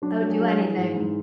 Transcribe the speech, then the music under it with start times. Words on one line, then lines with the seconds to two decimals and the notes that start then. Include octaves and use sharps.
I would do anything,
0.02 F#3 D4
0.21 F#3
0.31 G#4
0.39 F#3
0.59 E3 G#4
0.77 G#2
0.96 G#2